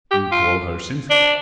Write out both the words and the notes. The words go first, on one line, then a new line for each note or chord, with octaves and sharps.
"You call her Cynthia?"
G4
F4
D4